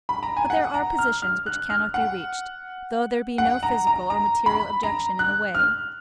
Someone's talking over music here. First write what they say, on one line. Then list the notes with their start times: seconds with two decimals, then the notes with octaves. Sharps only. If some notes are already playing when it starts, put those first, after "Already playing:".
But there are positions which cannot be reached, though there be no physical or material objection in the way.
0.09 B5
0.23 A#5
0.37 G#5
0.50 F#5
0.74 A#5
0.99 F6
1.22 F6
1.46 F#6
1.70 F6
1.94 F#5
3.38 F#5
3.63 A#5
3.87 A#5
4.10 A#5
4.46 B5
4.83 A#5
5.19 F#6
5.55 F6